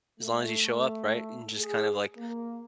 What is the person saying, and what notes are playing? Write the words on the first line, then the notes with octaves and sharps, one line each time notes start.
As long as you show up, right, and just kind of, like,
A3
G#4
A#3